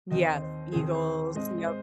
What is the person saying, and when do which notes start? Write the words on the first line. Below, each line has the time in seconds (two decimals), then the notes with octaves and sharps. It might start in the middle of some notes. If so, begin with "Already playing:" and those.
Yeah, Eagles, yup.
0.11 D#2 D#3 C4 D#5
0.22 C5
0.31 D#5
0.42 C5
0.72 D#2 D#3 C4 G#4
0.84 G#4
0.94 C5
1.35 G#2 G#3 C4 D#5
1.58 D#5
1.67 C5